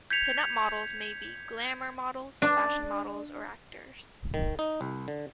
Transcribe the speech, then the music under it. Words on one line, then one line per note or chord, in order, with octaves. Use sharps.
Pin-up models may be glamour models, fashion models, or actors.
G6 G#6 B6 C#7 F7
D4
D#3
D#4
C2
D3